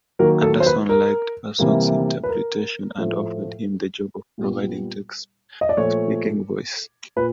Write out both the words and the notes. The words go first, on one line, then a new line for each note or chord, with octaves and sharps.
Anderson liked Parsons' interpretation and offered him the job of providing Tex's speaking voice.
D#3 F#3 A#3 A#4
A4
C5
B4
A#4
C3 E3 G3 A#3
B4
A#4
A2 F3 A3
A#2 G3 B3
D#5
D5
A#2 F3 A3 C#5
A#2 B4